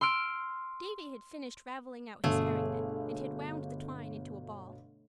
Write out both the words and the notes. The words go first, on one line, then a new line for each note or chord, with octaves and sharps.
Davy had finished ravelling out his herring net and had wound the twine into a ball.
C6 E6 F6 D7
G1 B2 A3 G#4 F5